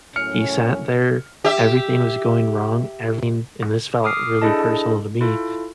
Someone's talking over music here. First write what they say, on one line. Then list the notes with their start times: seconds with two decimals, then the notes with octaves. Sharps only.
he sat there, everything was going wrong, everything and this felt really personal to me,
0.16 F#2 A2 C#4 F6 C#7
1.44 G4 E5
4.04 D6 D#6 F6 C7
4.42 D4 E4 G#4 A4 D#5 A5
5.21 E4 F4 A4